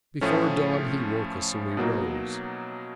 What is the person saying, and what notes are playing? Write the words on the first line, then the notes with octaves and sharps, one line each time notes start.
Before dawn he woke us, and we rose.
A2 F3 A3 C#4
B2 F#3 A#3 D#4